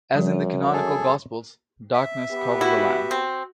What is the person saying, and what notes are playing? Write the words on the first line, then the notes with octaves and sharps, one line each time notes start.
As in the canonical Gospels, darkness covers the land.
F#2 F3 G3
G#4 A4
E5
B3 G4
E4 F#4
C4